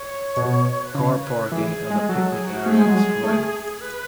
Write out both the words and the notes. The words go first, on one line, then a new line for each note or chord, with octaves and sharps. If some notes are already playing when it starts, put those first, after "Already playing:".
Car parking and a picnic area is provided.
Already playing: C#5
B2
B4
C#3 C#5
B4
A4
E3 G#4
G#3
F#3 A4
G#4
F#4
A3 G#4
G#3
F#3
G#3
A3
B4